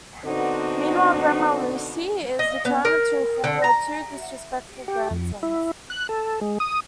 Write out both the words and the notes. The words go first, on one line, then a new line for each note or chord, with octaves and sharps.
Meanwhile, Grandma Lucy is determined to reform her two disrespectful grandsons.
D3 B3 C4 D4 D#4 F#4
D#5
B3
A#4
D3
A#5
G4
F2
E4
F#6
A4
G#3
D#6